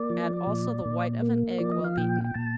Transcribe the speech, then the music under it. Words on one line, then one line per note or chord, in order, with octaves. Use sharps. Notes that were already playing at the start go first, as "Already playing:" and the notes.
Add also the white of an egg well-beaten.
Already playing: A#3 D5
F3
A#2
A#2
A#3
F3 D5
D#5
F5
A#2 G5
G5
A#2 A5